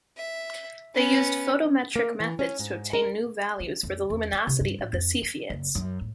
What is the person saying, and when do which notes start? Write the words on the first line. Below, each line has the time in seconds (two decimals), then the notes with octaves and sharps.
They used photometric methods to obtain new values for the luminosity of the Cepheids.
0.17 E5
0.94 B3 C#4
1.96 A#3
2.20 E3
2.39 C#4
2.59 G#2
2.93 A#4
3.60 D4
3.83 F2
4.10 E2
4.32 B3
4.47 C3
4.60 G2
4.78 A2
4.93 F2
5.22 F3
5.50 F#1
5.75 F#2
6.01 A2